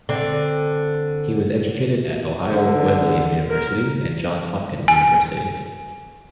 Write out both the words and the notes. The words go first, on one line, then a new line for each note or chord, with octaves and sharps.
He was educated at Ohio Wesleyan University and Johns Hopkins University.
D3 C4
D3
A#4
G#5